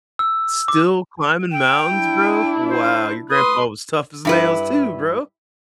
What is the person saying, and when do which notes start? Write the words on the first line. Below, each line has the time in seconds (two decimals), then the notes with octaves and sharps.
Still climbing mountains, bro? Wow, your grandpa was tough as nails too, bro.
0.19 E6
0.68 D6
1.52 G5
1.90 D4 E4
2.69 C5
3.30 B4 C6 D#6
4.25 G2 E4 B4